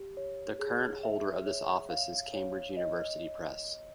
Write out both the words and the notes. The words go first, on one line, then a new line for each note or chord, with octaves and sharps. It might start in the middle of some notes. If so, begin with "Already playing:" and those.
The current holder of this office is Cambridge University Press.
Already playing: G4
C#5
G#4
E5
C#5
F5
C#5
D#5